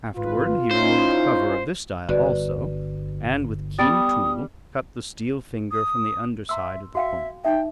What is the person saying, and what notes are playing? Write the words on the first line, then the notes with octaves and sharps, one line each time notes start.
Afterward he removed the cover of this dial also, and with keen tool cut the steel finger from the under side of the pointer.
G#1 F4 B4
C#4 D#4 E4 C5
G1 F#4 B4 D5
G3 B3 D#6 A6
D#6
E5 A#5 C6 E6
F#4 E5 F5 G5
D#4 E5 G5